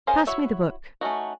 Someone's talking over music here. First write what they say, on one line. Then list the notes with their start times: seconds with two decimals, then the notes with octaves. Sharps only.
Pass me the book.
0.07 C#4 G#4 A#4 C5 F5
0.27 E4 F#4 C#5 E5
1.01 A3 C#4 D#4 F#4